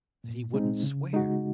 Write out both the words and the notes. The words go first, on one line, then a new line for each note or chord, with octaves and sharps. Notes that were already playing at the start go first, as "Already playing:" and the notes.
"That he wouldn't swear."
A#2
G#3 C4 D#4
C#3
G#3 D#4 F#4